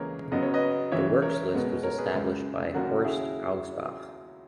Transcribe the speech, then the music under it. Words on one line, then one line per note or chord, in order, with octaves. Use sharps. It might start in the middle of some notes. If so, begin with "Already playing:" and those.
The works list was established by Horst Augsbach.
Already playing: C#2 C#3 E3 A#3 G#4 A#4 B4 C#5
F#2 C#3 F#3 B3 D#5
C#5
B4 D#5
C#2 C#3 E3 C#5 E5
A#4 C#5
B2 G#3 B3
A#4 C#5
G#4 B4
C#2 C#3 G#3
D#2 C#3 F#3 F#4 A#4
E4 G#4